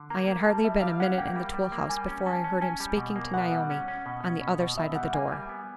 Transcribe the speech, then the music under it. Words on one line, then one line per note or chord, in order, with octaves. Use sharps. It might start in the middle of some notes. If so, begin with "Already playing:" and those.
I had hardly been a minute in the tool-house before I heard him speaking to Naomi on the other side of the door.
Already playing: D3
A#3 A#5
A#3
G3 A5
G3 E5
G3 F5
C#4 F#5
A#3 G5
G3
G3
A#3
G3 G#5
C#4
C#4 A5
C#4
C#4 G#5
G3
B2
A#3
B2 F#5
G3
C#4
C#4
B2
C#4
B2
B2
B2 E5
G3 F#5
A#3 G#5
G3 G#5
B3